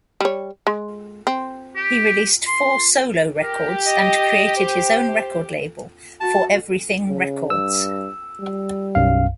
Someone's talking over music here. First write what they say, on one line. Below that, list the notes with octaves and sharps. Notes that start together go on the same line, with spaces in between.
He released four solo records and created his own record label, "Foreverything Records".
G3 C#5
G#3
C4
G4
C6
G4 A#4
D#5
C5
F#4 A5
C#3
G2 E6
G3
B1 F#2 F5